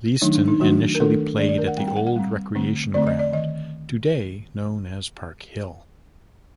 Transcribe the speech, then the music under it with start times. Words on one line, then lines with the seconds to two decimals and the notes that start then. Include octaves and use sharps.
Leiston initially played at the old Recreation Ground, today known as Park Hill.
0.22 D#3 F#3 A3 D4 D#4
0.35 D4
0.48 D#4
0.60 D#3 F#3 A3 D4 F#4
0.95 A#4
1.00 D#3 A3 D4 A4
1.38 D#3 A3 D4 D5
1.49 D5
1.58 A#4
1.67 F#5
1.77 G3 C4 G5
1.87 G5
1.96 F#5
2.07 F#5
2.16 G3 C4
2.55 D3 A3 C4
2.94 D3 A3 C4 D5
3.07 D#5
3.19 D5
3.32 D#3 D#5